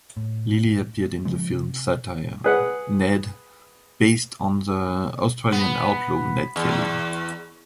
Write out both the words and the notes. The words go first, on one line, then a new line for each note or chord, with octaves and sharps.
Lilley appeared in the film satire, "Ned" based on the Australian outlaw Ned Kelly.
A2
C#3 F3 G#3
C3
G#4 B4 F#5
B3
E2